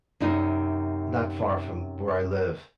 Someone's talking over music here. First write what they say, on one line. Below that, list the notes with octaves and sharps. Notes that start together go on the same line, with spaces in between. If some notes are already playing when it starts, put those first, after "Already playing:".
not far from where I live
F#2 C3 D#4